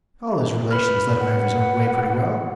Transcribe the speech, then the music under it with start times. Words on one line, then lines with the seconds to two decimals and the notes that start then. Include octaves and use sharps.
All his relations let him have his own way pretty well.
0.71 B4 B5 F6
1.20 F#5